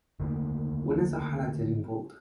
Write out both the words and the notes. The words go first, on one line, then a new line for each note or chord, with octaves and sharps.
Winners are highlighted in bold.
D3 D#3 A3 A#3